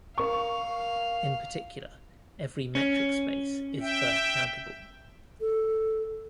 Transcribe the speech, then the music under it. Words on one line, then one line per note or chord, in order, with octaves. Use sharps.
In particular, every metric space is first-countable.
A#4 F5 C#6
C#4
E5 G5
A4